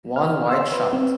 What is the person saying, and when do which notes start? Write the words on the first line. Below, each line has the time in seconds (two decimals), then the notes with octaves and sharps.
One wide shot.
0.16 F6
0.49 C#5 F5 C6 E6
0.72 B4
0.93 C4